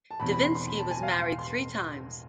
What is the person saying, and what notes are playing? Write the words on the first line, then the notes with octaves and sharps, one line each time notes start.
Divinsky was married three times.
A5
E1 E2 C3 B5
B5
C6
C6
B5
A5
G#5
F5
C6
C6